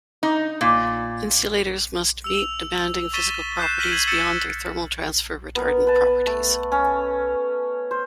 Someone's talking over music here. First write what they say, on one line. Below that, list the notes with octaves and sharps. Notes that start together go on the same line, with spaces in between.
Insulators must meet demanding physical properties beyond their thermal transfer retardant properties.
D#4
A#2
E6 F7
C#6 A6 B6 D#7 E7 G7
F#6 G6 B6 C7 E7
F6 A#6 B6 D#7 F#7 G7
G6 G#6 D#7 F#7
E6 G6 A6 C#7 D#7 E7
B3 A#4
B4 A5
A3
C#4
C5